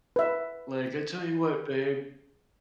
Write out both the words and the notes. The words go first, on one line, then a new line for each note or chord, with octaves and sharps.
Like, "I tell you what, babe”
B4 E5